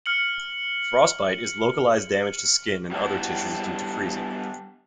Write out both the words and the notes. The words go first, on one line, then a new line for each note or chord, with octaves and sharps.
Frostbite is localized damage to skin and other tissues due to freezing.
F6 C#7 F#7
F#3 G3 B3 D4 E4 F#4